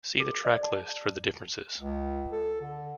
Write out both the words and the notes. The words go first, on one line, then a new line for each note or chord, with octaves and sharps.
See the track list for the differences.
G#4
D5
A5
C#2
A4
D3